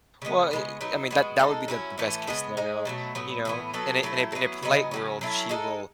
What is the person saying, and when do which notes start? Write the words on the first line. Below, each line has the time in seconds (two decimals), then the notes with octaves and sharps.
Well, eh, I mean, that that would be the the best case scenario, you know? In a in a in a polite world, she will
0.22 C#3 G#3 B3
0.51 C#3 G#3 B3
0.81 F#3 B3 D#4
1.11 G#3 B3 F#4
1.39 G#3 D#4 A4
1.68 F#3 C#4 E4
1.98 A2 E3 A3 C#4
2.27 C#3 G#3 B3
2.57 G#3 D#4 G#4
2.85 B2 F#3 A3
3.15 A2 F#3 B3
3.45 A2 E3 B3
3.73 F#3 B3 F#4 A4
4.03 F#3 A3 E4 A4
4.32 F#3 B3 E4
4.63 C#3 F#3 B3 D#4
4.91 C#3 F#3 C#4
5.21 F#3 C#4 E4 A4
5.49 G#3 D#4 A4